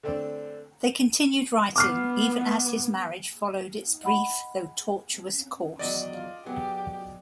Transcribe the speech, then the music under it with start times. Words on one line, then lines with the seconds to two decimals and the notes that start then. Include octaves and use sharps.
They continued writing even as his marriage followed its brief though tortuous course.
0.03 D3 A3 C4 D4
1.76 B3 D6 F6 C7
4.03 D#5 F#5 B5
5.79 E2 D#3 F#3 D5 D#5
6.14 F4
6.46 F#3 B3 G4 G#4